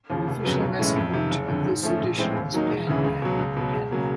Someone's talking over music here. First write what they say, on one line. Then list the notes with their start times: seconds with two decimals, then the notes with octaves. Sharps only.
The official mascot of this edition was PanPan, the panda.
0.10 D#2 C#3 F3
0.27 F1
0.45 F2 C#3 F#3 B3
0.62 B1
0.79 A2 E3 G#3 C#4
0.96 F2
1.13 C3 D#3
1.31 F#1
1.48 F2 D3
1.65 G#2
1.83 F3 A3 C#4
2.00 A#1
2.18 A2 E3 G#3 C4
2.35 D#2
2.52 D#3 F#3 A#3 D#4
2.70 E1
2.87 D2 C#3 E3
3.05 C#2
3.22 B2 F#3
3.39 C#2
3.57 B2 F#3
3.73 E1
3.91 C#3 F#3 A#3